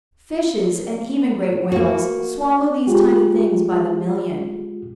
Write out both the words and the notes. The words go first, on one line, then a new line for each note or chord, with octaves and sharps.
Fishes, and even great whales, swallow these tiny things by the million.
A#3 F#4
G#3 F4 G4 G#4